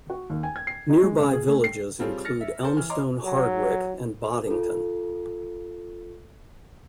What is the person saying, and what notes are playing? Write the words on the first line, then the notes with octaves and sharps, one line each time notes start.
Nearby villages include Elmstone-Hardwicke and Boddington.
F#4
D#2
G#5
G#6
C7
D#4
G#3
C#3
G#4
A3
C7
G3 C4 F4 G#4 A4 C#5
F6 A6 A#6 C#7
E5
A4 A#4 C5
E3 F6
C#5 D#5 A#5 C6 D6
F#3
F4 A4